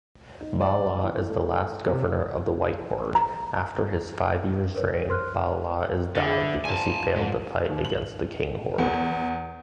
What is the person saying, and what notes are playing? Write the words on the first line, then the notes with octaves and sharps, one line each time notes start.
Ba La is the last governor of the White Horde.After his five years’ reign, Ba La is died because he failed to fight against the King Horde.
D#4
D5
E3
A3
C3
A#5
A#4 B4 C#5
A#4 C5 C6 F6 F#6
D3 E3 G#4 D5
F3 G#5 A5
G#2
D#2
F#7
E2